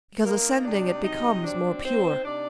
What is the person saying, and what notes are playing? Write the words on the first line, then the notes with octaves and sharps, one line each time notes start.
Because ascending it becomes more pure.
A#3 D#4 A#4
C3 D4 D5
F#3 D#4 D#5
C4 D4 D5
C4 D#4 C5
C3 D4 D5